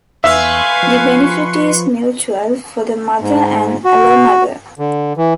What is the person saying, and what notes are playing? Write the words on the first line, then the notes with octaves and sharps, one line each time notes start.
The benefit is mutual for the mother and allomother.
E2 B4 E5 F5 G#5 C6 C#6
F3
G#2
F#4
D3
E3